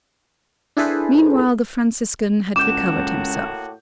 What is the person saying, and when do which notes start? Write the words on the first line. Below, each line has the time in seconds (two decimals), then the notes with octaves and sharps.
Meanwhile the Franciscan had recovered himself.
0.77 D4 E4 G#4 A4 B4 C5
2.56 C#2 A2 A#3 F#4 D6 G6 E7